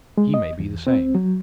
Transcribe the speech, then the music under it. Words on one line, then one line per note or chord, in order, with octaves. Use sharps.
He may be the same.
G#3
D#5
E2
C4
F#3